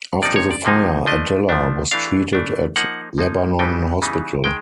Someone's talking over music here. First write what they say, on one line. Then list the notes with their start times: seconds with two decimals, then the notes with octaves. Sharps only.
After the fire, Adella was treated at Lebanon Hospital.
0.22 C3 F3 A#3 D#4 D5
0.36 C#5
0.51 D5
0.65 C3 F3 A#3 D#4
1.06 F3 A3 D4 D#5
1.49 F3 A3 D4
1.91 E3 A3 D4 F5
2.33 E3 A3 D4
2.76 F3 A#3 D#4 F#5
3.18 F3 A#3 D#4
3.59 C#3 E3 G3 B3 D#4 G5
4.02 C#3 E3 G3 B3 D#4
4.44 D#3 G#3 G5